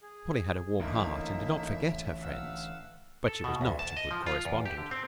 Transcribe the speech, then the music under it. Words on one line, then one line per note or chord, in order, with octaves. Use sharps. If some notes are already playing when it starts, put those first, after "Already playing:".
Polly had a warm heart and did not forget her friends, but she was not a good correspondent.
G#4
A1 D3 A#3 D#4 E4 E5
F5 F#5 E6
A4
B2
D2
A5
D#5
F3
F4
E2
G4
D3
C4